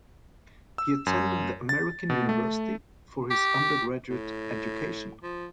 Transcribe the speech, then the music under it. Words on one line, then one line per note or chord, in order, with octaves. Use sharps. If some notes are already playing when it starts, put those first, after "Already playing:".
He attended the American University for his undergraduate education.
E6
F#2
A6
B2
A3
G4
A2
F3